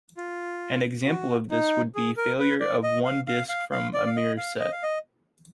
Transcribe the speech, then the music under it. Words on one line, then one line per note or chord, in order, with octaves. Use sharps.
An example of this would be failure of one disk from a mirror set.
F4
F#4
D#4
G#4
A#4
B4
D5
D#5
F5
F5
F5
F5
D5
F5
D#5
F5
D#5
F5
D#5